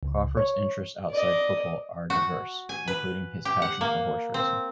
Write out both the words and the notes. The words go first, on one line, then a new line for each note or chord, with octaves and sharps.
Crawford's interests outside football are diverse, including his passion for horse racing.
C#2
C#5
D5 D#5
F#4
G#5
B4
G4
F#5
A#3
C4